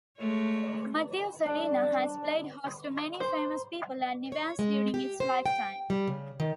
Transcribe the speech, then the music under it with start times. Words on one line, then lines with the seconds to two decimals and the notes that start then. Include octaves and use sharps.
Matthews Arena has played host to many famous people and events during its lifetime.
0.18 G#3 A3 C#5
1.46 D4
3.20 C5
4.32 C#5
4.59 G#3
4.94 G4
5.20 C5
5.46 G5
5.90 G3
6.07 C#3
6.40 D#3